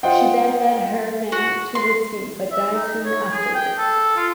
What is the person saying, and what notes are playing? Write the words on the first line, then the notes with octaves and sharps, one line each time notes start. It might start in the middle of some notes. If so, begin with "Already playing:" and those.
She then led her men to the sea, but died soon afterwards.
F4 C5 D#5 F#5 G5
F#4
C6
E5
D#4
C#5
G#4
G5
A4
F4